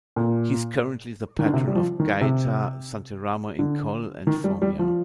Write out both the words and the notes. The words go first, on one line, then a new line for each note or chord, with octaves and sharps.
He is currently the patron of Gaeta, Santeramo in Colle and Formia.
A#2
D#3
D3
C3
G3
F3
D#3
C3
D3
D#3
G3
G3
F3